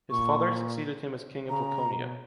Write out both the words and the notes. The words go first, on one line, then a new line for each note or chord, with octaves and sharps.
His father succeeded him as king of Laconia.
A#2 C#6
C#3 A#5
B2